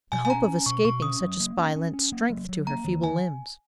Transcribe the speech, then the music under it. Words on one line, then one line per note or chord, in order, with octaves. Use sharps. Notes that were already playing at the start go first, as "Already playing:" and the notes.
The hope of escaping such a spy lent strength to her feeble limbs.
B2 G#5
G#5
C#4 A#5
C#4
B2 C#6
B2 C#6
C#4 D#6
F#3
A#3
C#4
C#4
C#4
A#3
F#3
F#3
A#3 A#5
D#3
D#3 G#5